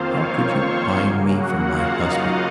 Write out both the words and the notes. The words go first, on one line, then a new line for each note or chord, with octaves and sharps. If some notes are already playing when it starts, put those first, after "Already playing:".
How could you buy me from my husband?
Already playing: F2 D#3 A#3 C4 F4 C5 F5
C#5 C#6
C5 C6
F#2 C#3 F#3 A#3 G#4 G#5
F#4 F#5
F4 F5
D#4 D#5